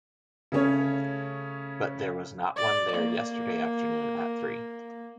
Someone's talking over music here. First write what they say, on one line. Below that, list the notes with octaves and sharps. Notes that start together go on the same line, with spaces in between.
But there was not one there yesterday afternoon at three.
C#3 A3 C#4 C#5
D5
A#3